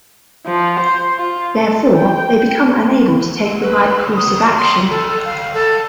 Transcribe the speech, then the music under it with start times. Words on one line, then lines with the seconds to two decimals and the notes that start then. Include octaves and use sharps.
Therefore, they become unable to take the right course of action.
0.46 F3
0.80 C5
1.17 F4
1.55 A4
1.98 G5
3.62 B4
4.16 D#6
4.58 C6
4.90 A4
5.08 A4
5.25 F5
5.54 A4